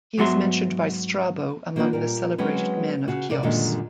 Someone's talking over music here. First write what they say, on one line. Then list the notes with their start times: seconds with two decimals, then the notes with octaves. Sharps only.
He is mentioned by Strabo among the celebrated men of Chios.
0.18 G#2 F#3 B3 F#4 E5 C6
1.76 F3 A#3 C4 D4 F#4 B4
1.93 A#2 G3 A#4
2.38 F#3 G#3 C4 C#4 B4
3.08 C#3 F#4
3.29 G2 C3 A#4 D5
3.43 F#2 A#2 D3 D#3 G3 G#3